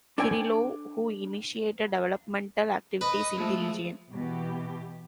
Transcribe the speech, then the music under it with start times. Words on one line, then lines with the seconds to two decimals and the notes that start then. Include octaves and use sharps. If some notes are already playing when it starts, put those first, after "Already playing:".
Kirilov, who initiated developmental activities in the region.
0.18 D4 A4 C5 G5 G#5
3.01 B4 D#5
3.35 F3 G#3 A3
4.12 B2 E3 G4